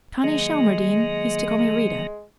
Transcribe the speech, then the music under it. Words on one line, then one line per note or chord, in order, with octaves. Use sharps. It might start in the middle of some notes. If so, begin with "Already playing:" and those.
Connie Shelmardine used to call me Rita.
D#3 F#3 G#3 A#3